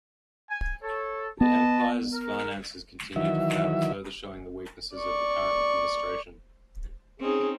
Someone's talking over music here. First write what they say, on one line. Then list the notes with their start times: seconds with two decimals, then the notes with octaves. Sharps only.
The empire's finances continued to fail, further showing the weaknesses of the current administration.
0.50 G#5
0.82 A4 C#5
1.41 B3 B4 D#5 A5
2.13 A#4
3.16 D#3 E3 F#3 E5
4.96 D5 C#6
7.20 C4 C#4 D#4 G#4